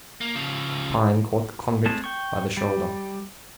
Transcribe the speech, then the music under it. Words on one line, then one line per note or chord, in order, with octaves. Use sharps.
Pine caught the convict by the shoulder.
A#3
C#3 F3
G#3 A3 C4 A5
G5 C#6
G3